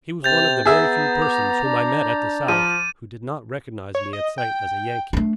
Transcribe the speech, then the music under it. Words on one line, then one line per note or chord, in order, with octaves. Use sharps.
He was one of the very few persons whom I met at the South who did not recognize me at sight as a Yankee.
C3 G6 A6 F7
B3 G#4 E5 A#5
D6
D4
F3 D#7
C#5
D#5
G5
A3 D4